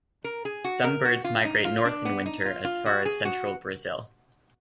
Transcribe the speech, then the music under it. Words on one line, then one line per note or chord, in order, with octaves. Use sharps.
Some birds migrate north in winter as far as central Brazil.
A#4
G#4
F#4
A#4
F#4
F4
D#4
F4
D4
B3
D#4
F4
F4
F#4
G#4
F#4